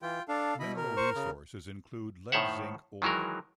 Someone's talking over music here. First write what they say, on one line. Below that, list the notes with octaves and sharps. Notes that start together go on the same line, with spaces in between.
Mineral resources include lead-zinc ore.
E3 F4 G5
D4 A4 F5
B2 E4 D#5 B5
A#4
C5 C#6
C#3
A2 D#3 C5 C#5 E5 F#5
D#3 E3 F#3 G#3 A#4